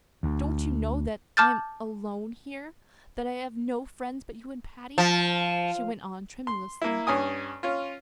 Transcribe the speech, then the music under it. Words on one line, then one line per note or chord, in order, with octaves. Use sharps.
"Don't you know that I am alone here--that I have no friends but you and Patty?" she went on tremulously.
D2
A5 D6 F6 G6 A6
F3
C6
A#3 E4
G2 C#4 G#5 D#6
C#4 F4